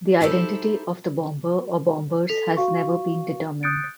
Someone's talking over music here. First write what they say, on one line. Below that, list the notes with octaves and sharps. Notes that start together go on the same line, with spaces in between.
The identity of the bomber or bombers has never been determined.
D#4 E4 G4 A4 C5
A4 B6 F7
F#4 F5 C#6
D#6 F#6 G6 A6 C#7 D7